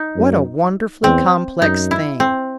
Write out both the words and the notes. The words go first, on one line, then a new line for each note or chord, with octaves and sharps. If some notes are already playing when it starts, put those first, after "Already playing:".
What a wonderfully complex thing!
Already playing: D#4
F#2
E2 C4
F#2 D#4
E4
C4